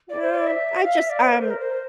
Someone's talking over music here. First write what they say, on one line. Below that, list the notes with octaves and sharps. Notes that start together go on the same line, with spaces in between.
Um I just um,
D5
C5
D5
E5
F5
E5
D5
C5
A#4
C5
A#4
C5